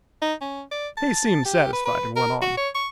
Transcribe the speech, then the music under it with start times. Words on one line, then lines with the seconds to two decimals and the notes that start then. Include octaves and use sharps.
He seemed satisfied, and went on.
0.22 D#4
0.41 C#4
0.71 D5
0.97 A5
1.45 G4
1.73 B4
1.85 B4
2.16 A#4
2.42 F#4
2.57 C#5
2.75 C#6